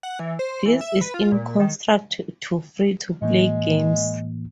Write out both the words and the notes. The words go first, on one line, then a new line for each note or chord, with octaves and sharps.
This is in contrast to free-to-play games.
F#5
E3
C5
E3
E5
B4
F4
A#2
D#3
A2 E3 G#3 A#3